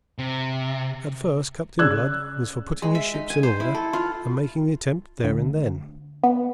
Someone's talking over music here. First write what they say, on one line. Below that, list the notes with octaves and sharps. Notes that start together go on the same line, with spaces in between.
At first Captain Blood was for putting his ships in order and making the attempt there and then.
C3
C#3 D5 E6 F#6 G#6
G#3
E5
D#4
G#5
C5
E4
A4
F4
D2
B3